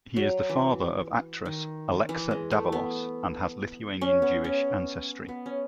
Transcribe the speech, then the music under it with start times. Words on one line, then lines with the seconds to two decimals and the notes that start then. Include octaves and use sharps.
He is the father of actress Alexa Davalos and has Lithuanian-Jewish ancestry.
0.16 F#3
0.49 E3
1.45 D#3
2.09 E3
2.31 G#3
2.51 A3
2.72 B3
4.01 C#4
4.22 B3
4.44 C#4
5.28 B3
5.46 C#4